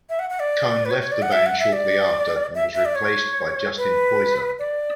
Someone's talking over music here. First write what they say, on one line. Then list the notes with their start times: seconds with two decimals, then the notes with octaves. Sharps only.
Cone left the band shortly after and was replaced by Justin Poyser.
0.09 E5
0.19 F#5
0.30 F#5
0.40 D5
0.85 B4
0.91 C#5
1.01 C#5
1.12 D5
1.22 F#5
1.32 E5
1.46 F#5
1.59 E5
1.73 D5
2.55 E5
2.75 E5
2.85 D5
2.95 C#5
3.77 B4
4.59 D5